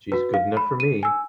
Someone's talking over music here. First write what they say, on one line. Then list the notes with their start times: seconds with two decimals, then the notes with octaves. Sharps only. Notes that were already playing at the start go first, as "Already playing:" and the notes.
She's good enough for me!
0.12 F#4 B4
0.34 F5
0.57 B5
0.80 D#7
1.03 G#5 E6